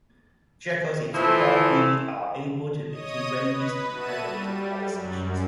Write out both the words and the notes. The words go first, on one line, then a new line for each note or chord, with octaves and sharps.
Jackals in Zimbabwe are able to maintain rabies independently of other species.
E3 F3 A3 E4
C#5 D#5 D#6
B4
F#4 E5 A5 D#7
G3
F#2